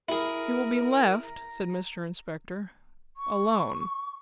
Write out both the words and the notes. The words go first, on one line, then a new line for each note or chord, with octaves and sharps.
'She will be left,' said Mr Inspector, 'alone.'
E4 G#4 A#4
A#5
C#6